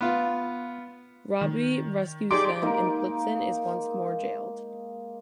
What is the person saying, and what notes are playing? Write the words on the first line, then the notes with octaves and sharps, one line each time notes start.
Robbie rescues them and Blitzen is once more jailed.
B3 F4
D#3
D#4 G4 G#4 D5 C6 D6
G#3 A#3 D#4